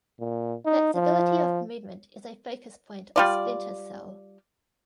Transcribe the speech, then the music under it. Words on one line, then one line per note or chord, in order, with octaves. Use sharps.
Flexibility of movement is a focuspoint of "Splinter Cell".
A#2
D#4
F3
G3 F4 D5